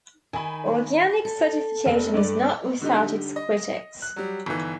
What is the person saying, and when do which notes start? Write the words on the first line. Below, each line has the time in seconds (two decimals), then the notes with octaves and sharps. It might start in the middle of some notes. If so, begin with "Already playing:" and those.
Organic certification is not without its critics.
0.33 D#3 G#5 B5
1.25 A4
1.86 F1
2.14 G2 A3 D5
2.81 D3 G3 D#4
3.36 D#5
4.02 F#6
4.16 F#3 G3
4.46 G1 D#3 E3